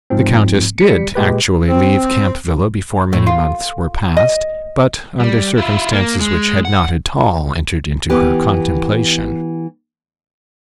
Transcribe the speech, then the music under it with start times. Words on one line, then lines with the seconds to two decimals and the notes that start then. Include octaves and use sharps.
The Countess did actually leave Camp Villa before many months were past, but under circumstances which had not at all entered into her contemplation.
0.10 G#2 F3 C4
0.78 G3 B6 C#7
1.15 A#2 G#3 G4 B4
1.68 C4
3.13 A2
3.27 F4
4.17 D#5
5.20 G3
5.58 E4 F4
5.93 A#3
6.21 G#3
6.65 F#5
8.10 E3 B3 G4